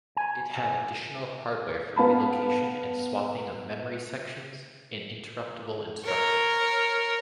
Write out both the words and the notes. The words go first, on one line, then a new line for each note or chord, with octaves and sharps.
It had additional hardware for relocation and swapping of memory sections, and interruptible instructions.
G#5
B3 F5 A5 B5
A#4 C#5